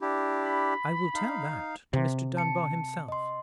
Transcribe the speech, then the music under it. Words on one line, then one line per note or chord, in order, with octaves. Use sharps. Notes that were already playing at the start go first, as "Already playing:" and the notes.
"I will tell that to Mr. Dunbar himself."
D4 E4 G4
B5
D#4 F5
C3
A5 C#7
D#5 C6